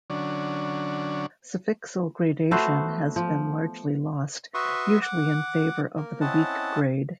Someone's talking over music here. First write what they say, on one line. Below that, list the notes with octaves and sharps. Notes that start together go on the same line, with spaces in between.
Suffixal gradation has been largely lost, usually in favor of the weak grade.
D3 F#3 C#4 D4
A3 B3 F#4 C5
F3
F#4 B4 E5 C6 C#6 D#6
F#5 D6
A#3 A#4
C4 C#4 E4 D#5 F#5 A5